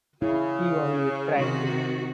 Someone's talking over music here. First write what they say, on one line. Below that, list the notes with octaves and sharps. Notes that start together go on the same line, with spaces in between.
He only tried to.
C#3 E4
C3 D#3 F#4